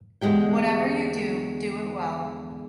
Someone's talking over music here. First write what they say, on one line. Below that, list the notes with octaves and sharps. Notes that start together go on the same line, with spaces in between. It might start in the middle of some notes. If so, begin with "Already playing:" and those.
Whatever you do, do it well.
E2 D3 E3 G#3 G4 G5